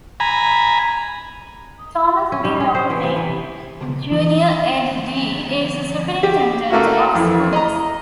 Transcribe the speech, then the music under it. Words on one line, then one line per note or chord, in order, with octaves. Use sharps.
Thomas B. Lockamy, Junior Ed.D., is the Superintendent of Schools.
G#5 A#5 B5
C#4
G3
C#4
C5
E3
C3
E3
E3
G4
A3 A#3 E4 F#4
F2 E3
D#5 A#5